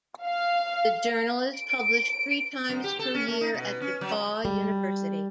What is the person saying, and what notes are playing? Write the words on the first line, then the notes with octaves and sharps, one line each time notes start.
The journal is published three times per year at DePauw University.
F5
D7
F#2
G4
A4
C#4
A3
D#4
B2
C#4
F#3
G3